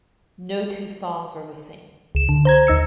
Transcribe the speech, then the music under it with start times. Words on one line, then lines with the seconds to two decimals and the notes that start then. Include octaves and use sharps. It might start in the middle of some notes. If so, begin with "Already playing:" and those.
No two songs are the same.
2.15 C#2 E7
2.29 D3
2.45 C5 A#5 G#6
2.67 D#2 D#4 E6 C#7